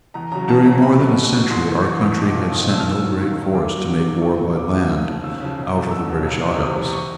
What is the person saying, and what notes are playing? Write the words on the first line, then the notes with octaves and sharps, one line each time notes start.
During more than a century our country had sent no great force to make war by land out of the British isles.
E2 A#5
C#3 F#3 A#5
E2 A5
C#3 F#3 A#5
E2 B5
B2 F#3
E2
B2 F#3
A1 C6
A2 E3
A1 C#6
A2 E3
C#6
B1 D6
A#2 F3
B1 D#6
A#2 F3 E6
F6
D#2 E6
D#3 F#3
D#2
D#3 F#3
D#2 D6
D#3 F#3
D#2 D6
D#3 F#3
C2 C#6
A#2 F#3 C#6
C2 D6
A#2 F#3 D#6
D#2
C#3 F3
D#2 E6
C#3 F3
E1
E2 B2 F#3
E1 E6
E2 B2 F#3
C#2
E3
C3
C#2 D#6
C3 E3
C#6